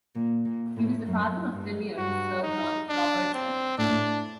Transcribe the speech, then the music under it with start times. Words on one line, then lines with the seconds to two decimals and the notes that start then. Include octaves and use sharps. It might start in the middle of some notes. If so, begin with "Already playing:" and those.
He was the father of Premier Sir John Robertson.
0.15 A#2
0.46 A#2
0.77 A2
1.07 F#2
1.52 G2
1.97 G2 F#4
2.43 D#4
2.89 D4
3.34 C4
3.79 A2 D4